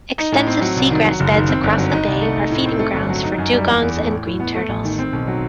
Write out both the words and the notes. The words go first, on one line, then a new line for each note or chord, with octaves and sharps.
Extensive seagrass beds across the bay are feeding grounds for Dugongs and Green Turtles.
D#4
A2
C4
F#3
C2
D#3
F#3
F#1
D#3
C4
G1
F#3
D#4
C2
A3
D#4
A2
C4
A3
G1
F#3
D#4
F#2
G3
E2
E2
A3
A2
A2
B3
A3
A1
D#3
C4
B1
F#3